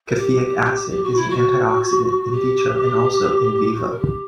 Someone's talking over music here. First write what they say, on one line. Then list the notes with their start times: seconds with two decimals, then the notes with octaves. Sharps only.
Caffeic acid is an antioxidant "in vitro" and also "in vivo".
0.08 A#4
0.18 G4
0.89 G4
1.03 F#4
1.16 E4
1.30 F#4
2.32 G4
3.74 F#4
3.90 A#4
3.98 G4